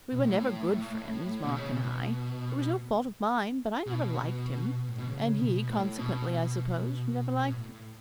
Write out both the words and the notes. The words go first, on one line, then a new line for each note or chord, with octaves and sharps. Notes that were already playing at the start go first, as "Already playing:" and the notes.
We were never good friends, Mark and I. It was no fault of mine, but I never liked him; and he, consequently, I suppose, never liked me.
B2
A2
B2
C#3
B2
B2
A2
B2
C#3
B2
A2
B2
B2
A2